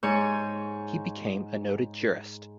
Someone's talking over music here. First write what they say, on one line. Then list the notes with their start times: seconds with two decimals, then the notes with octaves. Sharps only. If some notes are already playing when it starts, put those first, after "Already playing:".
He became a noted jurist.
0.03 G#2 C#5 G#5